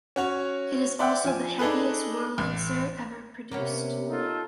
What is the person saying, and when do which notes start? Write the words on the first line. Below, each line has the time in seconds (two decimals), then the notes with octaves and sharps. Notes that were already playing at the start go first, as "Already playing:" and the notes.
It is also the heaviest Wurlitzer ever produced.
0.16 C#4 F#4 C#5
0.99 D5 E5 F#5 G5
1.24 F3 G#5
1.59 D4 D#4 G#4 A4 B4
2.38 A1
3.52 C3 A#3 B3 C#4
4.09 D#4 F4 A4